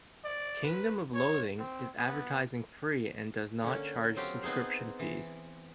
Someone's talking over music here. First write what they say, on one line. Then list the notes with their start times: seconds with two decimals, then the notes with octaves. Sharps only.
"Kingdom of Loathing" is advertising-free and does not charge subscription fees.
0.24 D5
0.64 B4
1.14 C#5
1.59 C4
1.98 B3
3.62 D3 A#3 C#4
4.16 F#3 C4 F4 G4
4.42 B3 C4 D#4 G#4 C5
4.99 E3